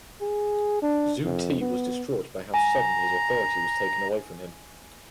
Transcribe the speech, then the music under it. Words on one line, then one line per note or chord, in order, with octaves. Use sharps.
Zu Ti was distraught by how sudden his authority was taken away from him.
G#4
D4
F2
B3
G#5 A#5